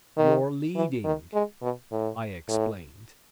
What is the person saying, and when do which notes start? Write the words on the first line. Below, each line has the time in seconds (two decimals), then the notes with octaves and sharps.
"You're leading," I explained.
0.17 D#3
0.75 E3
1.04 D#3
1.34 G#3
1.62 B2
1.92 A2
2.49 A2